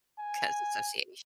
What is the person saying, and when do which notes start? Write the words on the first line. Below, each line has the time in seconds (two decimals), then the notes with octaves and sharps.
'cause association.
0.19 G#5